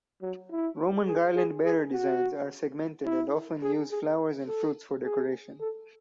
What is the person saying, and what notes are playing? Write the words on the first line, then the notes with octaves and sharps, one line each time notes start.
Roman garland bearer designs are segmented and often use flowers and fruits for decoration.
F#3
E4
G#4
G#4
G#4
F#4
E4
G#4
G#4
A4
G#4
A4